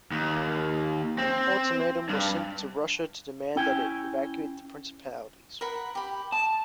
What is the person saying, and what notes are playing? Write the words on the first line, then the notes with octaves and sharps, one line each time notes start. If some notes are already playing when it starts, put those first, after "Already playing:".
An ultimatum was sent to Russia to demand that it evacuate the Principalities.
D#2
C4
G2
C#4 E4 G5
A#4 F#5 B5
G4 B5
A5 D#6